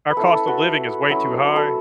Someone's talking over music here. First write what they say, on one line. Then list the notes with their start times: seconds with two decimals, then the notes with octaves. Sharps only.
our cost of living is way too high,
0.11 B4
0.17 A3 C#4 E4 A4
0.32 A4
0.47 F#4 B4
1.09 F#3 C#4 E4
1.56 A4